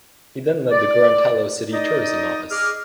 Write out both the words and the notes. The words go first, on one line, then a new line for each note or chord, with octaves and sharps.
He then led the Gorontalo City Tourism Office.
D5
D#4 D5 D#5
G#4 D#5 D6 F6